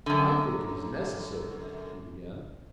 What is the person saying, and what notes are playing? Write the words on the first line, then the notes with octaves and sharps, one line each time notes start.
"I think it is necessary," he began.
F#2 D3